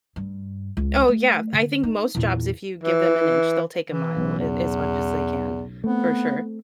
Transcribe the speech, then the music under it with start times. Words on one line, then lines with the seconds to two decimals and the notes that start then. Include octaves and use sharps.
Oh yeah, I think most jobs if you give them an inch, they'll take a mile, a as much as they can, for sure.
0.16 G2
0.77 C#2
1.08 A3
1.53 D3
1.83 D#4
2.15 E2 A#2
2.83 E3
3.89 E3
4.17 B1 C#3
4.39 E2
5.84 A3 B3 C4